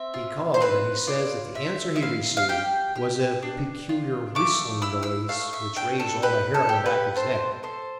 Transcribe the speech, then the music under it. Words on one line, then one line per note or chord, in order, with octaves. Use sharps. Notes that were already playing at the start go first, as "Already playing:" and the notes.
He called, and he says that the answer he received was a peculiar whistling noise which raised all the hair on the back of his neck.
Already playing: C4 E5
F4
C5
C4 B4
F4 D5
C4 E5
E5
E4 F5
F5
G4 G5
G4
D4
F4
A3 D6
E4 E6
E6
A3 F5
E5
D4 G5
A4
G4 B4
A4
G4
B4
A4 C5
A4 C5